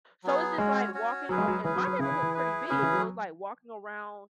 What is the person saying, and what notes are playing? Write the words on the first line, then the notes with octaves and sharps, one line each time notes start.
So it's just like walking oh, and my neighborhood is pretty big, so it's like walking around
F#3 B3 G#4
G#3 C#4 F#4 C#5
C#4 F#4 C#5
F#3 C#4 G#4 B4
G#3
F#3
E3 C#4 G#4 B4
F#3
F#3
C#3 E4 G#4 B4
E3
E3
E4 G#4 B4
C#3 C#4 G#4 B4
E3
F#3